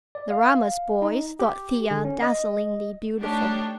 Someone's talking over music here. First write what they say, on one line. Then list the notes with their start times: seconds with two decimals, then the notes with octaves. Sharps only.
The Ramas boys thought Thea dazzlingly beautiful.
0.15 D5
0.30 F5
1.02 D#4
1.39 G4
1.91 D3
2.05 C#4
2.22 D#5
3.20 A3 D4 D#4 G4 C#5